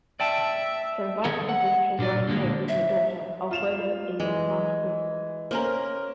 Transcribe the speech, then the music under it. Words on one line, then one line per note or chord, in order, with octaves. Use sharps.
Her vice-presidential running mate was her daughter, Alfreda Dean Masters.
D5 E5 G5 A5
D#3 G#4 A4
F#5
A#2 D4 F4 D5
A#2 D3 G#3 A#3
E5
F4 E7 F7
E3 G#3
A#3 C#4 A#4 C5